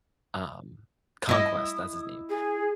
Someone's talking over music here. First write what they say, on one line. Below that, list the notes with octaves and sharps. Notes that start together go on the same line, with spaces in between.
Um, Conquest, that's his name.
E4 D#5 D#6
G#4